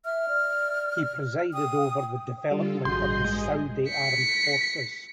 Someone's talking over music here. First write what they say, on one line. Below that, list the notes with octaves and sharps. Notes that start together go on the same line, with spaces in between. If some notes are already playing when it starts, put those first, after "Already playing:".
He presided over the development of the Saudi armed forces.
E5 F6
D5
G5 D#6
D3 G3 F4 A4
A1 G2 F#4 G#4 D#5 C6 G6
G#3
B6 C#7